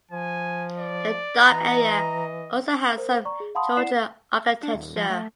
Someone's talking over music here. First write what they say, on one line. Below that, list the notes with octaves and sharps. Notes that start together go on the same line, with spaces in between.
The Dock area also has some Georgian architecture.
F3 G#5
D5
E3 D#5 A#5
A#4 C5
D5 A#5 C#6
G#4
F5 F#5 A5 B5 C6 D#6
E4 D5 F#5 C7 E7
D4
D#1
F3
A3